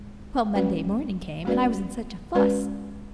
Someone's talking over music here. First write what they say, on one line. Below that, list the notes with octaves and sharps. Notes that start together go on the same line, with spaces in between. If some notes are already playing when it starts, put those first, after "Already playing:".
Well, Monday morning came, and I was in such a fuss!
Already playing: G#3
G#3 C#4 F#4 B4 D5
G#3 C#4 F#4 B4 D5
G#3 C#4 F#4 B4 D5